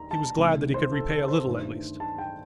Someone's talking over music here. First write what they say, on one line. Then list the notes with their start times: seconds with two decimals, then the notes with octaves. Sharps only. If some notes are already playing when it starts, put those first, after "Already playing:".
He was glad that he could repay a little at least.
Already playing: D#2 D#3 A#5
0.11 A5
0.38 C2 C3 D#3 A3
0.74 C5
0.92 A4
1.10 A4
1.28 C5
1.46 G1 G2 D#3 A3
2.00 A5
2.18 G5